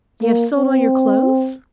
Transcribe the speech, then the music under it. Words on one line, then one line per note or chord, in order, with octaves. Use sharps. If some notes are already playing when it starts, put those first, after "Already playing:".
"You have sold all your clothes?"
A#3
C4